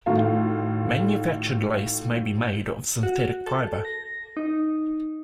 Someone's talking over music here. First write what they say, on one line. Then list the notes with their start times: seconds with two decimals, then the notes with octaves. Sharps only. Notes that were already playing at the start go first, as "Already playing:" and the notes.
Manufactured lace may be made of synthetic fiber.
0.06 A2 D#3 A3 F4 F#4
3.03 F#4
3.46 A4
3.85 A#6
4.37 D#4